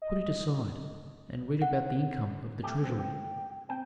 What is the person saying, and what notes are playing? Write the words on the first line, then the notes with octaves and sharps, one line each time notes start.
"Put it aside, and read about the income of the treasury."
D#5
F#5
A3 G4
C#2 C#3 E3 C4
G5
C4 G5